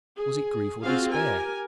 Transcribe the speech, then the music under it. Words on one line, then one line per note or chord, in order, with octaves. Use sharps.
Was it grief or despair?
G#4
C4 F4 F#4 G#4 F5
G4 A#4 G#5